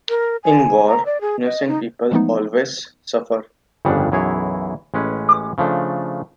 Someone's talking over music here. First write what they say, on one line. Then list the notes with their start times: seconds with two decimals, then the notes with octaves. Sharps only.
In war, innocent people always suffer.
0.09 A#4
0.44 G#5
0.88 A#5
1.06 D5
1.21 G#4
1.45 D#5
1.68 D#4
2.11 E3 F3 G#3 A3 B3 D#4
3.85 G1 F2 C#3 G3 D4 F#5
4.12 B1 F#2 E3 E4 G#4 C#5
4.94 A1 G#3 C#4 B4
5.58 C#3 F3 A3 D4